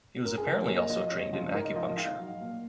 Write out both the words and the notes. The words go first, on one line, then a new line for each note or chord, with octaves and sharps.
He was apparently also trained in acupuncture.
F#2 A#4
G#4
F3 A#4
A#2 C#5
D#5
F3 D#5
D#5
F2 C#5
C#3 F3
G#2 A#4
D#5
F3 D#5
D#5
G#2 F5
F#3
A#2